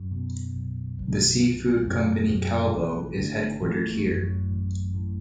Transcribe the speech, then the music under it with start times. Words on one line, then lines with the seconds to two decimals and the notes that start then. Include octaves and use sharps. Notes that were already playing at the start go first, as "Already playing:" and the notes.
The seafood company Calvo is headquartered here.
Already playing: F#2 F#3
0.11 B2
0.55 B1
0.99 B1
1.42 B2
1.86 F#2 B2 F#3
2.30 B1 F#2 F#3
2.63 F#3
2.74 A1 E3
3.18 A2 D3
3.61 A2 E3
3.95 A3
4.05 A1 F#2 F#3
4.49 A1
4.93 A2